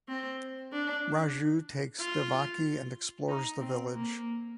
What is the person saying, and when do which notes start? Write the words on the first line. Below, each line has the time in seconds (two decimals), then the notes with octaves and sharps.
Raju takes Devaki and explores the village.
0.09 C4
0.72 D4
2.01 F4
3.28 D#4
3.60 C4
3.93 A#3